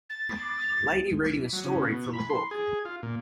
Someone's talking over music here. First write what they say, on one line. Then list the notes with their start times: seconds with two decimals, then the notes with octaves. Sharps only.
Lady reading a story from a book.
0.10 A6
1.53 F#3
1.64 C#3
1.88 B2
2.13 B5
2.30 C6
2.51 G#4
2.85 F4
3.03 A#2